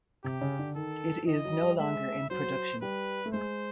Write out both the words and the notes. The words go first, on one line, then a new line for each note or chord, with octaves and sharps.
It is no longer in production.
C3 G4
C#3
D3
D#3 A4
E3 D#5
F#3
G3
G#3 E5
F#3 C5
G3 B4
A3
G#3 C5